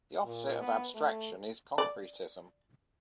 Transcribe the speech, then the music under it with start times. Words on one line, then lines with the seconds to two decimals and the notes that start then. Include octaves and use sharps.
The opposite of abstraction is concretism.
0.25 A#2
0.59 B3
0.95 A3
1.78 D5